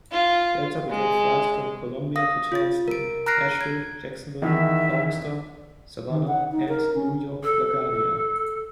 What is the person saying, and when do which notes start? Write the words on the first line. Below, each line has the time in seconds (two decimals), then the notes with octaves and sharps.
Delta began flights from Columbia to Charleston, Asheville, Jacksonville, Augusta, Savannah and New York-LaGuardia.
0.11 F4
0.90 G#3
2.16 F5 D#6 A#6
2.52 F4 A6
2.88 A#4 D7
3.26 A#5 F6 F#6 A#6 C7 D7
3.61 G#6
4.42 E2 D#3 E3 E5
6.09 D#3
6.28 F#5
6.52 D#4
6.68 A#4
6.95 C#4
7.44 A4